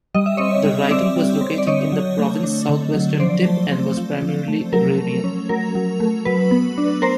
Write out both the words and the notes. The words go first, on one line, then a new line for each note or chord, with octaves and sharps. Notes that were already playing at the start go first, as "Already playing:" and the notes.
The riding was located in the province's southwestern tip, and was primarily agrarian.
G3 D#5
E5
C4 C#5 D#5
G3
C4 D5 E5
G3
C4
D5
D3 C#5 D#5
F#3
A3
D4
D3
F#3
F3 C5 D5
A3
C4
F3
F3
A3
F#3 A#4
A3
C#4
F#3 A#4
F#3
A3
F#3 B4
B3
D4
A#4 C5